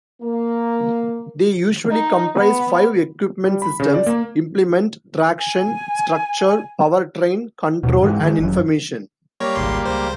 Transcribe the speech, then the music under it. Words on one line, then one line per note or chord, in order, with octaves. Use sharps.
They usually comprise five equipment systems: implement, traction, structure, power train, control and information.
A#3
D#4
B3
G3
B5
C#3
D5
A#3
G#5
D#2 B2
G#2 E3 G#3
D#3 G#3
G1 F#2
G3 A#3 C#5 A#5
G#1 C#2 C6
C#2 C5